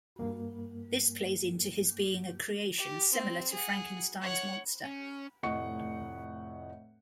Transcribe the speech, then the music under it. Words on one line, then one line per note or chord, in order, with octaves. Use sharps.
This plays into his being a creation similar to Frankenstein's monster.
G2 A#3
G4
C4
G#4 F#5
C#5 F#5
C#4
F1 A2 D#5 F#5 C#6 C#7